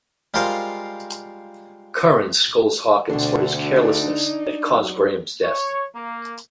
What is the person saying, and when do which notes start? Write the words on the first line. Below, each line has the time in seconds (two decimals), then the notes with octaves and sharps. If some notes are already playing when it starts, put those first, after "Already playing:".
Curran scolds Hawkins for his carelessness that caused Graham's death.
0.34 G3 G#3 F4 A#4 C5 F5
3.10 D2 B2 D3 C4 D4
3.76 D4 D#4
4.74 F#3
5.43 C#5
5.94 A#3